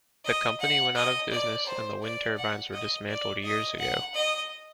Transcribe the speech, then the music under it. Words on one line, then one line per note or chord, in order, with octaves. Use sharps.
The company went out of business and the wind turbines were dismantled years ago.
D#5
F#5
D#5
D5
C5
D5
F#5
D#5
D5
D#5
F#5
D#5